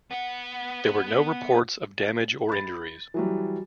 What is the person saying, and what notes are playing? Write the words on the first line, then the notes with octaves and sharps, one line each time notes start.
There were no reports of damage or injuries.
B3 F#5
B5 A6
E3 F#3 G3